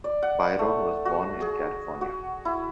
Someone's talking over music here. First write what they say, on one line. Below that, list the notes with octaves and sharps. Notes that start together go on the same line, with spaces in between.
Byron was born in California.
D5
F#5
A3
F#4
G#4
F#4
E4